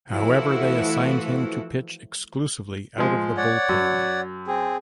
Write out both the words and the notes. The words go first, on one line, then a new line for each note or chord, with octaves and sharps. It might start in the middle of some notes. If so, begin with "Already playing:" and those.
However, they assigned him to pitch exclusively out of the bullpen.
E3 F3 A3 E4 F#4 A4
F3 G#3
C#5 D5 F#5
F#2
C4 G#4